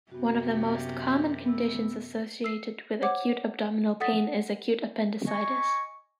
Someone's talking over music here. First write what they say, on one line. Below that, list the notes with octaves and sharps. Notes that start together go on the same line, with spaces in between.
One of the most common conditions associated with acute abdominal pain is acute appendicitis.
F#2 C3 B3 F#4
B3 E6
E6 C7
C5 C#5 F#5 D6
A4 F#5 D#6 A6 B6
D#5 G#5 C#6